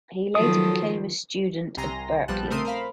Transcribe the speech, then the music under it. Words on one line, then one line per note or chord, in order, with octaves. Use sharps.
He later became a student at Berklee.
D#3 F3 F#3 A4 D#6
C2 C3 G#5 A#5 C6 A#6
A#1 F3 G3 B3 A5 F#6
A3 C4 A#4 C5 C6 D#6
A#4 C5 F5 B5